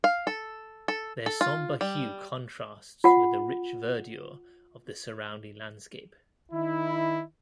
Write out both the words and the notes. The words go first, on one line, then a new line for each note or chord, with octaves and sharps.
Their somber hue contrasts with the rich verdure of the surrounding landscape.
F5
A4
A4
A4
F4
G3
F4 F#5
D#3 D#4 E4